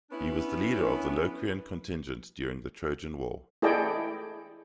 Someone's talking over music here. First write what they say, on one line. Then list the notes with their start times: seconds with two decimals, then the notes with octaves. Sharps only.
He was the leader of the Locrian contingent during the Trojan War.
0.11 B3 C#4 D4 E4
3.62 E4 G#4 A4 D5 D#5 G5